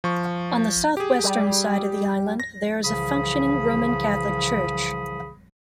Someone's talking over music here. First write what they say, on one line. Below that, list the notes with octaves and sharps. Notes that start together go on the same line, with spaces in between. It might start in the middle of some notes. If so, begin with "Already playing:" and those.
On the south-western side of the island there is a functioning Roman Catholic church.
F3 C#6
G4 G#4
G3
A#6
C2 C#3 E3 F3 B5 D#6